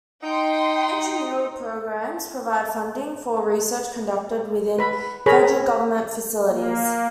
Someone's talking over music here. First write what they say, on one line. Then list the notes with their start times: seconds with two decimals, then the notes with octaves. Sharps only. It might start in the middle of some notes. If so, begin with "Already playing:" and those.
Intramural programs provide funding for research conducted within Federal government facilities.
0.24 D#4 G5 C6
4.78 B4 B5
5.26 G#4 A#4 C#5 A#5 B5
6.48 A#3